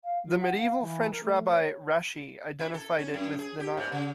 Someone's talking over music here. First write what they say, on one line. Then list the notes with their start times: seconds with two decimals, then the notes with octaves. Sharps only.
The medieval French rabbi Rashi identified it with the Nile.
0.04 F5
0.26 F3
0.41 F#5
0.58 F5
0.81 E3
1.12 A#4
1.23 A3
1.51 C#5
2.59 E4
2.74 A4
2.99 C#4
3.14 F#2
3.39 G#4
3.60 G4
3.77 G#2
3.92 C#3